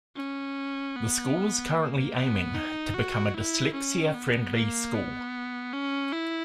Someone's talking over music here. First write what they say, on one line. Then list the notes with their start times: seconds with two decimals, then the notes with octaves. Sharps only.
The School is currently aiming to become a Dyslexia Friendly School.
0.16 C#4
0.96 B3
1.76 A#3
2.16 B3
2.55 D#4
2.95 F#4
3.34 E4
3.74 C#4
4.15 B3
4.54 A#3
4.94 B3
5.73 C#4
6.13 E4